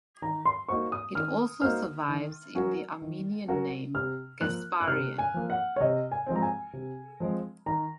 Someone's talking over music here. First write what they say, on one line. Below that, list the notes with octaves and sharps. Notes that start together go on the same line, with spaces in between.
It also survives in the Armenian name, Gasparian.
D#3 A#5
C6
A#3 D#4 F#4 C5 C#6
D#6
D#3 F6
A#3 D#4 F#4 C5 F6
D#3
F#3 C#4 F#4 A#4
D#3
F#3 C#4 F#4 A#4
C3 F6
F3 A#3 F#6
F#6
C3 F6
G#5
F3 A#3
F#5
C#5
C3 D#5
G#5
F3 G#3 C4
A#5
G#5
C3
F3 G#3 C4
D#3 A#5